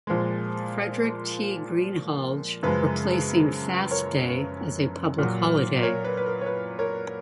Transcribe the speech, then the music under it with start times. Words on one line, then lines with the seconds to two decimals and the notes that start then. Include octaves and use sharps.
Frederic T. Greenhalge replacing Fast Day as a public holiday.
0.07 A#2 F3 G#3
2.63 F#2 C#3 F3 G#3 B4
3.91 A#4 C#5
4.24 B4
5.18 A#2 F#3
5.83 A#4 C#5
6.04 B4
6.17 B4
6.26 A#4
6.41 C#5
6.46 B4
6.79 A#4 C#5